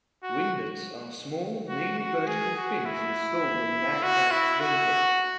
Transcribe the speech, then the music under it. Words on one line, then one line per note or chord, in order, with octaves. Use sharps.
Winglets are small, nearly vertical fins installed on an aircraft's wing tips.
F#4
F#4
F#4
G#4
F#4
E4
F#4
E4
F#4